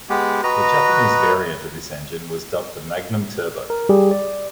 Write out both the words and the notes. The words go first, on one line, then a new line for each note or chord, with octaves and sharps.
The Japanese variant of this engine was dubbed the "Magnum Turbo".
G#3 B3 G4
F#4 B4 D#5 A#5
A#4
G3 G4 G#4
D5